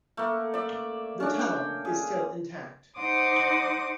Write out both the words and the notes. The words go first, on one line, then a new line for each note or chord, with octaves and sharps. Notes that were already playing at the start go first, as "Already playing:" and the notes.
The tunnel is still intact.
A3 A#3
D5 E5
C#4 D4
G5
G#4
D#4 C5 F#5 C6 D6 D#6